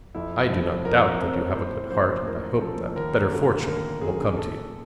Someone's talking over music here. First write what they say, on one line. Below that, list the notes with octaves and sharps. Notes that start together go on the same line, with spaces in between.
I do not doubt that you have a good heart; and I hope that better fortune will come to you.
F2 E4
C3 F3 A3 C4
F2 A#4
C3 F3 A3 C4
C#5
A2 C5
F3 A#3 C#4 C5
A2 A#4
F3 A#3 C#4 A4
D#2 A#4
D3 F#3 A3 C#4
D#2 A#4
D3 F#3 A3 C#4 G#4
A#2 A4